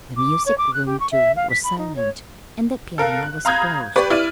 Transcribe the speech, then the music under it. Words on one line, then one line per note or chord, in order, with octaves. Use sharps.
The music room, too, was silent, and the piano was closed.
D6
C#5
D6
F#6
G4
C#6
E5
F5
B6
B5
D#4
C#5
A4 A#4 F5 F#6
F#6
F5 A#5 B5 D#6 G6 G#6
G4 B4 D5 C#6
E4 D5 F6 D#7